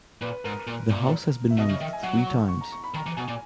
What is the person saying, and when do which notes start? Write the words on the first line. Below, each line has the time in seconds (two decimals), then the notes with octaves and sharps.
The house has been moved three times.
0.21 A#2 B4
0.44 G#2 A#4
0.67 A#2
0.90 A#2
1.50 E5
1.57 B2 D#5
1.69 C#3
1.80 D#3 E5
1.93 G#5
2.03 F#3 F#5
2.27 C#6
2.48 C#6
2.61 A#5
2.72 C#6
2.84 B5
2.94 D#3 A#5
3.06 E3
3.17 B2 G#5
3.28 A#2